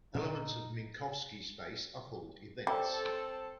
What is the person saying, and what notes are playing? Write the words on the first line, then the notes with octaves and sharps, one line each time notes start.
Elements of Minkowski space are called events.
A#2 D4 D#4
G3 C4 A4